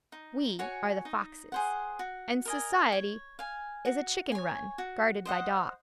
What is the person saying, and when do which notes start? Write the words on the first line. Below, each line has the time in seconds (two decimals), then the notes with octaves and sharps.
We are the foxes, and society--is a chicken-run guarded by dogs.
0.12 D#4
0.59 F#4 C#5 G#5
1.05 D#4
1.52 G#4 C5 F#5
1.99 F#4
2.45 A#4 D#5 G#5
2.92 C#5
3.39 F5 G#5
3.85 F#4
4.32 C#5 G#5
4.78 F#4
5.25 C5 D#5 F#5